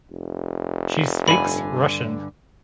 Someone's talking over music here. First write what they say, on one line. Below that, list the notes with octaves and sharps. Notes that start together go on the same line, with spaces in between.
She speaks Russian.
F1
G2 D3 G#5 B5